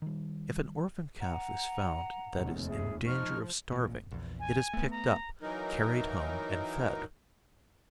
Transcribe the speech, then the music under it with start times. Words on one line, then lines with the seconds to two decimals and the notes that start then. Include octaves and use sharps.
If an orphan calf is found that is in danger of starving it is picked up, carried home and fed.
0.02 D#3 G3
1.20 F#5 A#5
2.36 F1 D#2
2.68 G#4 E5
3.06 F3 D#4 C#6 F6
3.72 A1 A#2
4.11 A#1 E2
4.40 G#5
4.73 A3 B3
4.91 A#5
5.42 E3 F#3 D#4 A#4